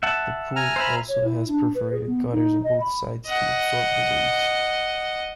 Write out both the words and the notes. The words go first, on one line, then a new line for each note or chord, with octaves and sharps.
The pool also has perforated gutters on both sides to absorb the waves.
E5 F#5 A5
G#5 A#5 F6
C5 E5 B5
C#5
E4
D4
B4
G#4
B3
D#4
D#5
B5
D#5 F#5